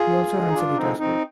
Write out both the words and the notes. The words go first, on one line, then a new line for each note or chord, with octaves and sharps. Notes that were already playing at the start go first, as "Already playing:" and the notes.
He also runs a guitar school.
Already playing: F4 G#4
G2
D3 F3 G#3
D#4
G2 D4 F4
D3 F3 G#3 C4 D#4
F2 C4 D#4